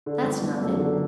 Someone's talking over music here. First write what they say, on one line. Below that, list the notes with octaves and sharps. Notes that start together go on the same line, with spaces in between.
'That's nothing.
D3
G1
G1
F#2
D3